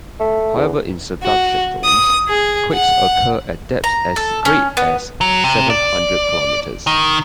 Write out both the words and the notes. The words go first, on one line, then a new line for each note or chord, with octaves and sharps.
However, in subduction zones, quakes occur at depths as great as seven hundred kilometers.
A3
E2
F#4
D#6
G#4
F#5
A#5
A4
C#4
B3
F#3
C3
D5
D#3